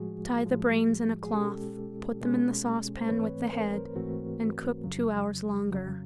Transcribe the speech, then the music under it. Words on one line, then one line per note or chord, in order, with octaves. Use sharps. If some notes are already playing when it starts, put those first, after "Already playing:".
Tie the brains in a cloth, put them in the saucepan with the head and cook two hours longer.
Already playing: A2 F3 G#3 F#4 G#4
A2 F3 G#3
G#4
B2 G#3 C#4 G4 A4
B2 G#3 C#4
C5
G#2 E3 A3 C4 B4 C#5
A#4 C5
G#2 E3 A3 C4 F#4
F2 C#3 F#3
F2 C#3 F#3